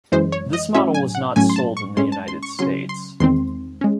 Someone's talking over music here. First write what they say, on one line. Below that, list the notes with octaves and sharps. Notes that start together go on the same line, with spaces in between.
This model was not sold in the United States.
F#2 E3 G#3 C5
C#5
D#5
A2 F#3 C#4 E5
G#5
F#5
A2 F#3 A3 C#4 G#5
C6
A5
C#6
A2 G#3 C#4 C6
A5
C6
C#6
C#3 F#3 C#4 C6
C6
E2 D#3 G#3 C4 C6
G#3 C#4